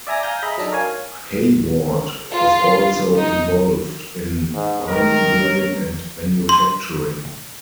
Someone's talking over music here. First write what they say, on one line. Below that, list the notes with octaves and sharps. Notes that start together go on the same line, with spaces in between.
Hayward was also involved in mining, building and manufacturing.
D5 E5 G#5 A#5 A#6
F5 G#5 A#5 G6 A#6
G#4 D#5 E5 A#5 B5
F#3 D4 D#4 A4
A#4 C#5 F5 G#5
F4
D#4
G#2
D#3 A#4
C#5
C6